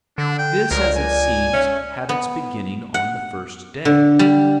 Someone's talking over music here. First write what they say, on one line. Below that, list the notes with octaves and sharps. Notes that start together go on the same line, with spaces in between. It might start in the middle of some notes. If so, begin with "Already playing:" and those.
This, as it seems, had its beginning on the first day.
D3 D4
G5
C#2 F3 D4 A#4
D#3 D4 G#5
A3 C#4
B3
F#5
D3
G3